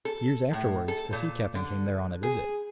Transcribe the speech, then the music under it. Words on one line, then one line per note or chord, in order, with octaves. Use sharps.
Years afterwards a Sea Captain came there on a visit.
A4
A2
A4
A#2
D3
G#4